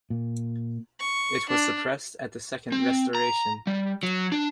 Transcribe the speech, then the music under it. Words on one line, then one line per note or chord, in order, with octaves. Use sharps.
It was suppressed at the second Restoration.
A#2
C#6
D4
C4
A#5
G3
F#3
D4